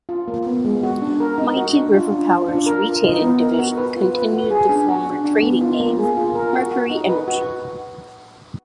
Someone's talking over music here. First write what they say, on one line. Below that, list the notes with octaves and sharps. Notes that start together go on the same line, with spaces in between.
Mighty River Power's retailing division continued the former trading name Mercury Energy.
F4
A#3
B3
G#3
F#4
D4
A#4
D#4
F#4
D4
F4
D4
F4
D4
A#4
F4
D#4
B3
A#4
F#4
B4
F4
B4
F#4
G#4
D4
F#4
D4
D4
B3
F4
A#3
G#4
F4
A#4
F#4
F#4
D#4
B4
F#4